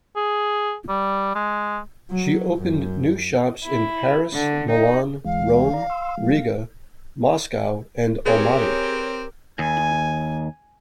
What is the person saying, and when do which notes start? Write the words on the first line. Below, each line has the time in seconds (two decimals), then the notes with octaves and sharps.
She opened new shops in Paris, Milan, Rome, Riga, Moscow and Almaty.
0.16 G#4
0.89 G3
1.35 G#3
2.11 F#3
2.58 F#2
3.64 E4
4.34 D3
4.70 D#4
5.25 D2 E3 G#3 F5
5.73 D5 A#5
5.90 C6 E6
6.18 F3 G#3
8.26 C4 G4 G#4 A#4 B4 C#5
9.59 D#2 G#5